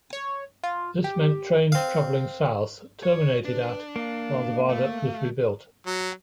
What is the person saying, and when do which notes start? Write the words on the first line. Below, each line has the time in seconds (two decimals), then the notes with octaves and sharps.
This meant trains travelling south terminated at while the viaduct was rebuilt.
0.13 C#5
0.63 F4
1.04 G4
1.72 C4 F5
3.03 C#5
3.45 D4 B4
3.96 A#3 F5
4.69 A3
5.86 F#3